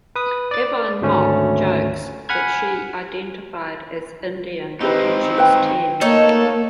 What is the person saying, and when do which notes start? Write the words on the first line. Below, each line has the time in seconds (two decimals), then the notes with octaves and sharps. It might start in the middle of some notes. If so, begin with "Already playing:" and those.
Evelyn Mok jokes that she identified as Indian until she was ten.
0.16 B4 D#6
0.51 D5 A6
1.01 G#1 D2 A3 C#4
2.29 F#5 G#5 B5 F6 G#6
4.80 C4 D#4 E4 G4 B4
5.38 B4 G5
6.01 A3 A#3 D#4 A4 C#5